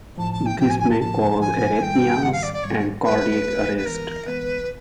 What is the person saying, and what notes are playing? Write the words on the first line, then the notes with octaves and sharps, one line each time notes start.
This may cause arrhythmias and cardiac arrest.
A#1 A2 F3 A5
A5
G5
A#1 A2 F3 G5
G#5
G#5
A5
A#1 A2 F3 A5
A#1 A2 F3 G#5
G#2 D#3 G3 G5
G#2 D#3 G3 F#5
F5
D5
D5
G#2 D#3 G3 C#5
G#2 D#3 G3 B4
E3 G#3 B3
B4
E3 G#3 B3 A#4
E3 G#3 B3 B4